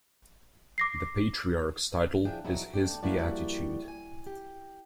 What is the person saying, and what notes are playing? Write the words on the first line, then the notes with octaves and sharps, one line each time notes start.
The Patriarch's title is "His Beatitude".
D6 A#6 C7
F3 D4 E4 G#4 G5
B2 E3 F#3 D#4 E4
D#2 A3 D4 G4
F2 G3 A#3 E4 F#4 D5
G#5
G4